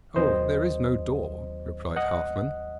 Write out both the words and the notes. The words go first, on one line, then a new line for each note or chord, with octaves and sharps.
'Oh, there is no door,' replied Halfman.
D#2 D#3 F#3 C4 C5 D#5
D#5 F#5